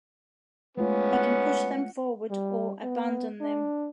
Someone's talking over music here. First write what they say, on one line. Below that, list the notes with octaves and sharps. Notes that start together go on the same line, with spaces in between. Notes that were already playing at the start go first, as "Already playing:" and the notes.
He can push them forward, or abandon them.
G#3 A3 B3 C#4 F4
F#5
G3
B3
D4